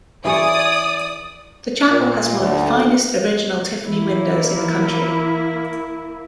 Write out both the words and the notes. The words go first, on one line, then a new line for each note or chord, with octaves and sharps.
The chapel has one of the finest original Tiffany windows in the country.
E3 G#4 C#5 D5 D#6
A#2
D2
E3 A#3 E4